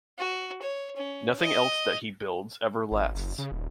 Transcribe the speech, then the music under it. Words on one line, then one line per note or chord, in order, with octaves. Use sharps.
Nothing else that he builds ever lasts.
F#4
C#5
C#4
D#5
G#1
F#1
C#3
D#1